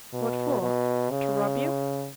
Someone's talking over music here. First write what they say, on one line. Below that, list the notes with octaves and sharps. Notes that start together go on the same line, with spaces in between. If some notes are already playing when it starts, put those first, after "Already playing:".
"What for--to rob you?"
B2
B2
C#3